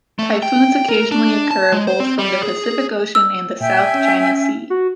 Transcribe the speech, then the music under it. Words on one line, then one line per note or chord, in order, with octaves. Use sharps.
Typhoons occasionally occur, both from the Pacific Ocean and the South China Sea.
A3
G5
A#4
D4
A5
G#3
C5
C4
G3
G#4
E6
A#2 E5 G5 G#5
C#4
F#4